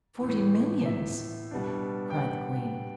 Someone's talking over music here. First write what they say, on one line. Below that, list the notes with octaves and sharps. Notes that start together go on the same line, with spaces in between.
"Forty millions," cried the queen.
A2 E3 B3
E5
B2 G3 B3 D4
G5
F#5